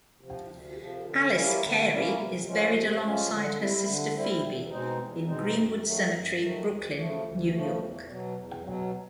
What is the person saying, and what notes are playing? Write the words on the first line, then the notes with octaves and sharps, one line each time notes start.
Alice Cary is buried alongside her sister Phoebe in Green-Wood Cemetery, Brooklyn, New York.
C3 F3
D2
C3 F3
D3
G3 A#3 C#4 E4
D3
G3 A#3 C#4 E4
C3
F3 G#3 C#4
C3
F3 G#3 C#4
D3
G3 C4 E4
D3
G3 C4 E4
E2
B2 G#3 C4 D#4
E2
B2 G#3 C4 D#4
F#2
D#3 F#3 A3
F#2
D#3 F#3 A3
D2
C#3 F3 A3
D2
C#3 F3 A3
E2
B2 F#3
E2
B2 F#3